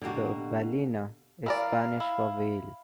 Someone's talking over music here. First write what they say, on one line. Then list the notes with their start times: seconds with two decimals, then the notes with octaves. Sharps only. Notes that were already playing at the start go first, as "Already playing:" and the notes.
The "ballena" is Spanish for whale.
0.02 B2 D3 A#3 F#4 G4
1.46 E3 A#4 D5 F5
2.00 E4